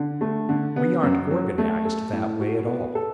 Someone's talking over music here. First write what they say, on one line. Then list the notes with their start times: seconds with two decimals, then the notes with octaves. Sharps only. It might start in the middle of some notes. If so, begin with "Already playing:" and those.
We aren't organized that way at all.
Already playing: D3
0.21 A3
0.49 D3
0.76 B3
1.03 F#2
1.31 F#3
1.58 A3
1.85 A4
2.13 A2
2.40 F#4
2.67 B3
2.95 A4